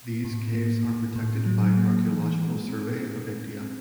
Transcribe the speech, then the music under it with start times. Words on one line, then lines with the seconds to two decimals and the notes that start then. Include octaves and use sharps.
These caves are protected by Archaeological Survey of India.
0.24 A2
0.55 A#3
0.85 A2
1.16 A2
1.46 F#3
1.77 A#3
2.08 E3
2.39 G#3
2.68 C4
2.99 C4
3.30 G#3
3.61 C4